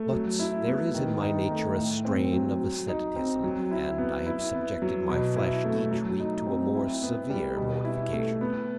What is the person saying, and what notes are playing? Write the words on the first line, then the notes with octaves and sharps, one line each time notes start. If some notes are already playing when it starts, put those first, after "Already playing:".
But there is in my nature a strain of asceticism, and I have subjected my flesh each week to a more severe mortification.
Already playing: A3
F#3
E4
B3
D#3
D#4
A3
A2
C4
F#3
F#3
D#4
C4
F#3
E4
B3
E4
B3
F#3
B2
E4
A3
F#3
D#4
C4
E4
B3
G3
B2
E4
A3
B3